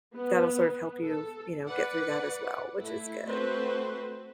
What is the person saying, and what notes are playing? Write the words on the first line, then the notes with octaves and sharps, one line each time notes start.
that’ll sort of help you, you know, get through that as well, which is good.
B3
A4
B4 D5 F#5
A3 E4
A3 C4 F#4 B4 C5